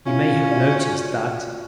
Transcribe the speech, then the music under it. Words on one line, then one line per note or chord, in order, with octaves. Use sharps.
You may have noticed that.
C#3 C#4 E4 F4 F5
F4 F#4 D5